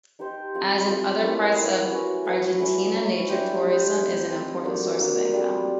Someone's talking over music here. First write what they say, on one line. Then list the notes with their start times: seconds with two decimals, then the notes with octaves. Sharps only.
As in other parts of Argentina, nature tourism is an important source of income.
0.19 D#4 G4 C5
0.54 A3 C4 F4
0.88 A3 C4 F4
1.23 A#3 C#4 E4 A4
1.57 A#3 C#4 E4 A4
1.91 A3 C#4 F#4 B4
2.25 A3 C#4 F#4 B4
2.59 F#3 A3 C#4 E4
2.94 F#3 A3 C#4 E4
3.27 D4 G4 C5 E5
3.61 D4 G4 C5 E5
3.97 A3 C4 D#4
4.31 A3 C4 D#4
4.64 A#3 D4 F#4
4.99 A#3 D4 F#4
5.33 G3 C4 F4 A4